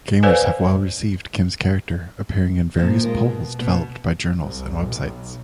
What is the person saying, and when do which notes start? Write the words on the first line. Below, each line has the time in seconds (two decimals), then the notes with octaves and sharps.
Gamers have well-received Kim's character, appearing in various polls developed by journals and websites.
0.23 A4 B4 C5 D5 F5 G#5
2.77 A#2 F3
3.03 G#3 F4 A#4
3.24 B2
3.61 B2
4.42 C2
4.78 B1